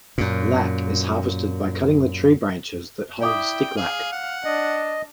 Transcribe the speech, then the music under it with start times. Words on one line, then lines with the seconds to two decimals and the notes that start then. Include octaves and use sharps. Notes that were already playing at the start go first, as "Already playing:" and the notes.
Lac is harvested by cutting the tree branches that hold sticklac.
0.18 F#2 A#2
3.22 E4 D5 G5 D6 D#6
3.77 G#4 F5
4.12 F#5
4.45 D4 D#5